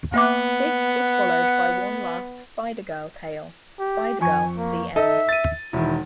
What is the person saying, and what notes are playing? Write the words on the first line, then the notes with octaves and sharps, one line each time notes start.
This was followed by one last Spider girl tale, "Spider-Girl: The End".
A#3 B3 E5 F#5 D6
G4
F2 G#5 C#6
A#3
D#4 A4 D#5 E5
A6 D#7
E1 D#3 E4